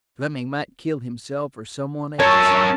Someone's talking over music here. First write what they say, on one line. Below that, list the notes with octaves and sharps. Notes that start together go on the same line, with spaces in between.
Fleming might kill himself or some one else.
C#4 A#4 C#5 A5 C#6 E6